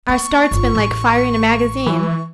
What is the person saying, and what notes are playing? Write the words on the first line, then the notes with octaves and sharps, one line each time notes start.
Our start's been like firing a magazine.
A#3 C#6
G1 F4
A1
E3